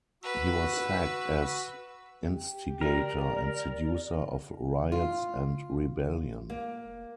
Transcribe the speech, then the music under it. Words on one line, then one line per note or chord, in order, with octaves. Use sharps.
He was sacked as "instigator and seducer of riots and rebellion".
F#4 B4 E6
G4
A#4 D5
F4
A#3